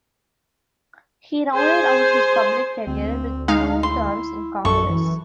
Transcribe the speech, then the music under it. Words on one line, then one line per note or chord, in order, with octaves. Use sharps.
He rounded out his public career with two terms in Congress.
G#4 C5 G#5
D2 C4
G#3 D#4 F5
E4 C6
A#1 F#2 A4 C#6
E3 E4